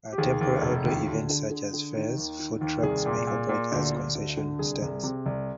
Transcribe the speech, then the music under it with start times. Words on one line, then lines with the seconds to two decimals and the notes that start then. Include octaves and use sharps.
At temporary outdoor events such as fairs, food trucks may operate as concession stands.
0.12 G4
0.18 D#2 G#4
0.41 D#2
0.62 F1
0.85 D#2
1.06 D2
1.29 D3
1.51 D3
1.73 D3
1.95 D#3
2.17 D#2
2.39 D#3
2.61 D#2
2.83 C2 G#4
3.06 A#2
3.27 A#2
3.49 A#2
3.72 D2
3.94 D2
4.15 D2
4.37 D3
4.59 C2 G#4
4.82 C2
5.03 C3
5.26 C2